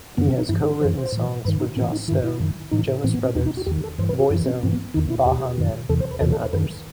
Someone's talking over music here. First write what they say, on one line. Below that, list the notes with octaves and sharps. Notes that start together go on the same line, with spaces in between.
He has co-written songs for Joss Stone, Jonas Brothers, Boyzone, Baha Men and others.
F#2 D#3 B3
C4
D#4
G2 E3 E4
D#4
F#2 E3 C5
C5
A2 E3
G2 D#3 B4
D#4
A2 E3 C4
D#4
G2 D#3 E4
E4
F#2 D#3
A2 E3 D#4
A2 E3 C4
B3
C4
E2 B2 D#4
D#4
F#4
E2 D#3 G4
A4
G2 E3 C5
B4
F#4
F#2 E3 E4
C4
G2 E3 C4
B3
E2 D#3 D#4
E4
E2 B2 G4
F#2 D#3
E2 C3 E3 A4
C5
B4
E2 C3 E3 A4
A4
B4
F#2 D#3 B4